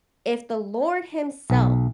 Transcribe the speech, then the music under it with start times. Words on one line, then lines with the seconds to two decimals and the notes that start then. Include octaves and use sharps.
if the Lord himself
1.50 B1